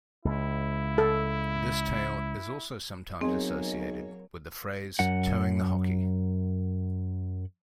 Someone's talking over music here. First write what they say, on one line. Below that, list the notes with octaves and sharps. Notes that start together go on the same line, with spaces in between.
This tale is also sometimes associated with the phrase "toeing the hockey".
C#2 E4
A4
B1 F#3 A#3 C4 G#4 C#5 D#5 G#5
F#2 F#5